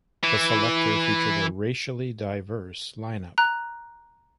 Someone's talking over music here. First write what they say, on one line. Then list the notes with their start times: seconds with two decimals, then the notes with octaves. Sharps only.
The Selecter featured a racially diverse line-up.
0.24 E3 E4
3.38 A#5 F#6